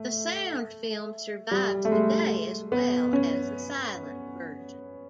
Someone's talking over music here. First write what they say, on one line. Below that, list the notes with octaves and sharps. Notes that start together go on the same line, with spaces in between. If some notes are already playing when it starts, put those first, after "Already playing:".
The sound film survives today as well as the silent version.
Already playing: A3
G3
A3
G#3
B3
C#4